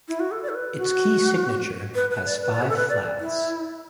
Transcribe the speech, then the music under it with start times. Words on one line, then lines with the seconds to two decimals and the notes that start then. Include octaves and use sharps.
Its key signature has five flats.
0.08 E4
0.20 F#4
0.31 A4
0.43 D5
0.49 A4
0.55 B4
0.78 F#4
1.95 B4
2.11 B4
2.26 D5
2.42 B4
2.53 D5
2.62 F#4
2.69 A4
2.77 B4
2.89 D5
3.20 E4